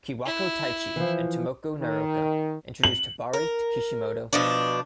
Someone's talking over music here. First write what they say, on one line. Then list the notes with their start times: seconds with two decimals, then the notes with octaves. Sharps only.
Kiwako Taichi and Tomoko Naraoka introduced Hibari to Kishimoto.
0.25 E4
0.96 E3 F3
1.79 D#3
2.84 F#7
3.33 A#4
4.33 B2 F3 D4